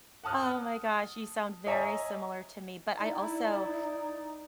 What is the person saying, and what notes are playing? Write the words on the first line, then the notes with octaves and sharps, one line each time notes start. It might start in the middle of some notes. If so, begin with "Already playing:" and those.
Oh, my gosh, you sound very similar to me, but I also
F#5 A5 D#6 F6 F#6
C#5 D#5 E5 G#5 A#5
D#4 E4 D5